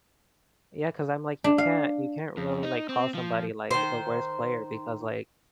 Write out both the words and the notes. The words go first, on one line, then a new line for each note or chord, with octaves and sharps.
Yeah, 'cause I'm like, you can't you can't really like, call somebody, like, the worst player because, like,
D4
F5
F2
D#4
C4
F3
D#3 C5